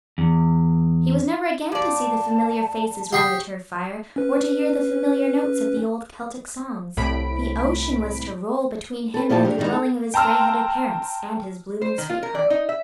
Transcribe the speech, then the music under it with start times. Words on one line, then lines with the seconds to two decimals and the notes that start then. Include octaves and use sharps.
He was never again to see the familiar faces round the turf fire, or to hear the familiar notes of the old Celtic songs. The ocean was to roll between him and the dwelling of his greyheaded parents and his blooming sweetheart.
0.18 E2
1.72 A#2 D5 A5
3.13 G4 F#5 C#6 D#6 C7
4.16 C#4 B4
6.97 C2 A2 B5 B6 D7
9.14 A4 B4
9.29 A#2 F3 E4 G4 G#4 A5
9.44 D3 G4 A#4
9.58 D#3 G3 G#3 D#4 E4
9.73 A4
10.14 G5 A5 A#5 C6 E6 F6
11.82 C5
11.98 D#3
12.10 F4
12.23 A#4
12.35 D5
12.50 D#4
12.69 E5